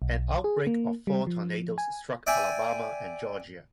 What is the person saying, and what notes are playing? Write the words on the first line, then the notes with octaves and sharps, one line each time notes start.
An outbreak of four tornadoes struck Alabama and Georgia.
B1
G#4
A#3
G3
F3
G#5
D5 E5 G5 G#5